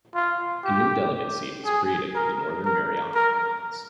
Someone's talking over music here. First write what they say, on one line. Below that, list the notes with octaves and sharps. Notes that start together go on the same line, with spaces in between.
A new delegate seat was created for the Northern Mariana Islands.
F4
G4
G#4
A#4
A#4
A#4